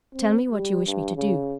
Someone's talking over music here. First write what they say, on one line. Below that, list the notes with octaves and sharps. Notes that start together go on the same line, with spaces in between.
Tell me what you wish me to do.
C4
G3
G2
C#3